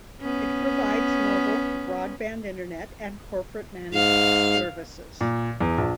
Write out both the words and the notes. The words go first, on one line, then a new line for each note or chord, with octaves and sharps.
It provides mobile, broadband internet and corporate managed services.
B3 C#4
G#2 F5
A#2
E2
A#1